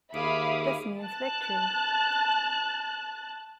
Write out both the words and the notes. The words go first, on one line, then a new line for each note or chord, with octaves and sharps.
This means victory.
D#2 G#4 E5 F5 B5 D6 D#6
A5 F#6